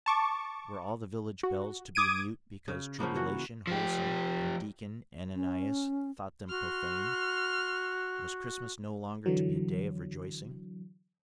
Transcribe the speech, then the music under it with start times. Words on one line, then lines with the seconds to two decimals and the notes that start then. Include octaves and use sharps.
Were all the village bells to be mute because Tribulation Wholesome and Deacon Ananias thought them profane? Was Christmas no longer to be a day of rejoicing?
0.06 A5 C#6 D6
1.43 F#4
1.95 D6 D#6 G#6 D7 D#7
2.68 C#3
2.99 C#3 F3 A#3 B3
3.15 E3 F#4
3.67 F3 G4
5.35 C#4
6.49 F#4 C6 F6
9.26 D3 E3 F#3